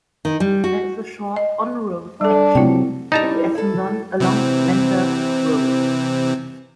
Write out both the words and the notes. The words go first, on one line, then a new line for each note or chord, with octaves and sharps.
There is a short on road section through Essendon along Vanberg Road.
D#3
G3
F#4
D#5
G3 D4 A4
C3 F3 F#3 E4 G5
E3 G3 D#4 A5 A#5
E4 A4
C3 E3 C4